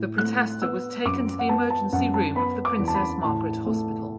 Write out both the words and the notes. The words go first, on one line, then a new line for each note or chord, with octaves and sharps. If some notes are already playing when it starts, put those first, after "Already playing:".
The protester was taken to the emergency room of the Princess Margaret Hospital.
Already playing: A2
A3 F#6
B3 E6
F#2 D6
F#5
B3 A5
A5
F#2 F#5
A5
B3 B5
D6
E2
A5
B5
A2 A5
A3